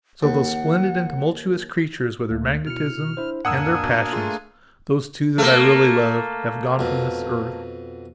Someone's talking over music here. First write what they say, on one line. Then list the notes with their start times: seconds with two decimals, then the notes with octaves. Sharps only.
So those splendid and tumultuous creatures with their magnetism and their passions--those two that I really loved--have gone from this earth.
0.23 D#2 F#5
2.30 D2 A3 A#3
2.67 B2 E4 F6 C#7
3.17 D4 E4 C5
3.45 F2 A2 A#3 D4 F#5 G#5 D#6 E6
3.83 B2
4.13 A3 F4 G#4
5.38 A3 A#3
6.79 F2 B2